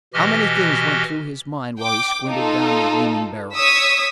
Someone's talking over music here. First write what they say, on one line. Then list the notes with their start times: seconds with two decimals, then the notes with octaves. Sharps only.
How many things went through his mind while he squinted down the gleaming barrel!
0.14 B2 E3 F#4 G4 D#5 F6
1.80 G5 D6
2.27 D#4 F4 A4
3.54 C#5 C#6 D#6 E6 B6